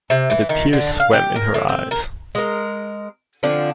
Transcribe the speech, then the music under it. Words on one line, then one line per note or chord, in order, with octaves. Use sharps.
And the tears swam in her eyes.
C3
E3
D#3
D3
F5
G4
A#4
A2
C4
A#4
G#3 A#4
D3 F3 C4 D4